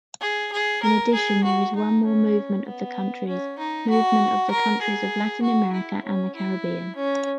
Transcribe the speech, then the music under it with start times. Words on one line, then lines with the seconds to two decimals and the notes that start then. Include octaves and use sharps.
In addition there is one more movement of the countries - movement of the countries of Latin America and the Caribbean.
0.21 G#4
0.52 G#4
0.83 A#4
1.13 G#4
1.44 F#4
1.75 D#4
2.05 C#4
2.67 B3
3.27 C#4
3.58 D#4
3.90 F#4
4.51 A#4
4.82 G#4
5.42 F#4
5.73 E4
6.04 C#4
6.35 E4
6.96 C#4